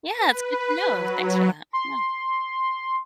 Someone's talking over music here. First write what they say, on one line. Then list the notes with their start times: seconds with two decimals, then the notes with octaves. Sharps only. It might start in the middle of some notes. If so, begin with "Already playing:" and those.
Yeah. It's good to know. Thanks for that. Yeah.
0.14 B4
0.86 F#3
1.73 C6